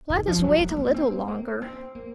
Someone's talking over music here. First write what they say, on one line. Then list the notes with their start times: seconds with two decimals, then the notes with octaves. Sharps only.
"Let us wait a little longer."
0.10 D#3
0.27 F3
0.38 F3
0.44 F#3
0.60 A#3
0.69 A3
0.77 A#3
0.94 C4
1.28 A#3
1.62 C4
1.95 A#3